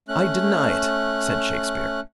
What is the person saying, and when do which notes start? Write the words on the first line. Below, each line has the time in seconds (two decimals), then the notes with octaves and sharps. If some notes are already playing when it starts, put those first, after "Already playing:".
"I deny it," said Shakespeare.
0.08 A3 C#4 F#6